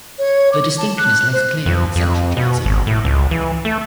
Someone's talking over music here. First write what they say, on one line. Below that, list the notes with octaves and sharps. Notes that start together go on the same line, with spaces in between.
The distinction is less clear in Central Jersey.
C#5
D6
A5
F#6
C5
F2
F2
B2
G#1
A2
C#2
E3
A3